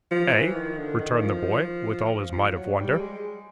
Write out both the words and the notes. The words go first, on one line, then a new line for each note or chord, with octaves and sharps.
'EH?' returned the boy with all his might of wonder.
F3
E3
D#3
D3
D#3
F3
F3
F#3
G3
G#3